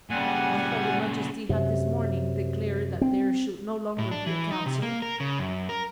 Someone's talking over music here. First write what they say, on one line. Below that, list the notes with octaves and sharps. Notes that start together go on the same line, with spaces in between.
"I thought your majesty had this morning declared that there should no longer be a council?"
A#2 C#3 G3 F#5 G#5
F#2 C3
C4
A2
D4
E3
D#4
C3
A#3
A#4
C#3
F#2
A#4